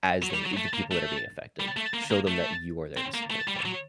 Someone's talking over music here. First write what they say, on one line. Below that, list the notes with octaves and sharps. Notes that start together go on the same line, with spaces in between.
as they i the people that are being affected. Show them that you are there to support them.
F#3
G3
F#3
A3
A#3
A3
G3
A3
A#3
A#3
A3
C4
A#3
A3
G3
F#3